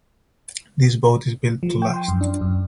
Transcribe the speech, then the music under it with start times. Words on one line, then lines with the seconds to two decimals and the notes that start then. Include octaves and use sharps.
This boat is built to last.
1.63 F3
1.82 G5
1.94 C6
2.08 F#2
2.21 D4
2.41 F#2